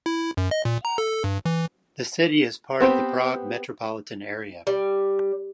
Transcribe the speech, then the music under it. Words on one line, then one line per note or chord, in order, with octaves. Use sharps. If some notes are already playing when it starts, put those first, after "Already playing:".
The city is part of the Prague metropolitan area.
E4
F#2
D#5
A#2
A#5
A4
G2
E3
B3 C4 G4
G3